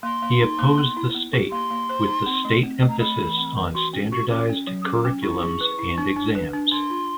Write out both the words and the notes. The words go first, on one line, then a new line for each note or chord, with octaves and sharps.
He opposed the state with the state emphasis on standardised curriculums and exams.
A#3 C6
A#3
D#4
A#3
B3
E4
B3
G4
A#3 C6
A#3
C5
D#4
C4
A3
C4
A3
A#5
A3 B5
E3
C4
E3
F#4 C6
C#4
F#4 C#6
C#4 D6
C#4
F#3
D#6
C#4 D6
C#4
E4 C#6
G#4
B4
E4
D4
D4
B4
D4
D4 C6
F4